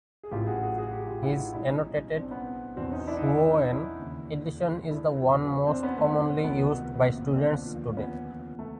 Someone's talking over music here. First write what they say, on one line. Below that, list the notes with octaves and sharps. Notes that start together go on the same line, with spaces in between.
His annotated "Shuowen" edition is the one most commonly used by students today.
G#4
A1 A2 F#3 F4 G4
F#4 G#4
F#4 G#4
F#4 G#4
G4
F#4
F4 G4
E4 F#4
D#4 F4
B1 B2 G3 D4 E4
C#4 D#4
C4 D4
B3 C#4
E2 B2 F#3 C4 D4
C#4 D#4
D4 E4
D#4
D4 E4
D4 E4
C#4 D#4
D4 E4
D#2 C#3 E3
D4 E4
E2 B2 F#3
C4 D4
B3 C#4
A3 B3
C#2 C3 D#3 F#3 A3 B3
A#3 C4
C4 D4
D#2 D3 F3
B3 C#4
A3